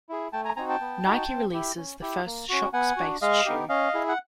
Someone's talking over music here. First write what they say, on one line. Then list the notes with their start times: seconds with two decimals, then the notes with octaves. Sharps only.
Nike releases the first Shox based shoe.
0.09 E4 G#4
0.33 A3 G5 A5
0.44 G#5 A#5
0.56 C4 D#4 F#4 G#5 A#5
0.69 G5 A5
0.81 B3
1.05 D#4 F#4
1.28 C4
1.53 E4 G4
1.77 C#4
2.01 E4 G4
2.26 A#3
2.49 C#4 F#4
2.73 B3 F#5 G#5
2.97 D4 F#4
3.22 G#3 D#5 F5
3.45 B3 D#4 G4
3.69 C#4 D#5 F5
3.94 E4 G#4
4.09 F#5